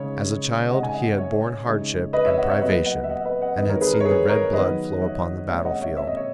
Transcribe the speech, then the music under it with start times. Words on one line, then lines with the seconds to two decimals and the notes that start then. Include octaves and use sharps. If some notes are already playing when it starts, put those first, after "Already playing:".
As a child he had borne hardship and privation and had seen the red blood flow upon the battlefield.
Already playing: C#3 G#3 D#4 C#5
0.70 C#3 G#3 D#4 D#5 F#5
0.83 G#5
0.94 D#5 F#5
1.18 C#5 E5
1.66 C#3 G#3 D#4
2.13 B4 D#5
2.25 C#5 E5
2.37 D#5 F#5
2.50 C#5 E5
2.61 B2 F#3 A#3 B4 D#5
2.86 D#5 F#5
3.04 E5
3.10 D#5 F#5
3.21 E5
3.25 B4 D#5
3.41 D#5 F#5
3.57 E2 D#3 G#3 D#4 B4 D#5
3.69 A#4 C#5
3.81 G#4 B4
3.93 A#4
4.00 C#5
4.05 G#4 B4
4.29 A#4 C#5
4.53 D#3 F#3 B3 B4 D#5
5.01 C#5 E5
5.49 A#2 G#3 C#4 C#5 E5
5.65 D#5 F#5
5.81 C#5 E5
5.97 E5
6.07 D#5
6.17 C#5